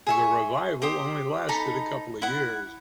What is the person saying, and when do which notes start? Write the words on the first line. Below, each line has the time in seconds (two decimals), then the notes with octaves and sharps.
The revival only lasted a couple years.
0.07 G#4 E5 C#6
0.82 G4 C5 D#6
1.49 D#4 A4 A#5 B5
2.22 E4 F#5